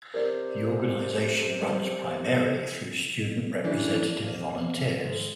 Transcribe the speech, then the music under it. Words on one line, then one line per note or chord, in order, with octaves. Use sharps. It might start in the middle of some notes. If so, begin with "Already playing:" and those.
The organization runs primarily through student representative volunteers.
C3 A#4 D5
E3 G3 A3 C#4 D4 E4
F2 B2 A#3
G#2 D#3